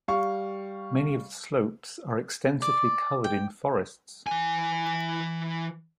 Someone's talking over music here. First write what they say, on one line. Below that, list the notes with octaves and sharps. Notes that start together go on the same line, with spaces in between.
Many of the slopes are extensively covered in forests.
G3 F5 C#6
D5
G5
E3 G#5